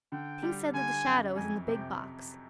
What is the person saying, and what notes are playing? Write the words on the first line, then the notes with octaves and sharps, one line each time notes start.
Tink said that the shadow was in the big box.
D3 G5
G3
D3 G#5
F#2
F2 G#5
C3 G5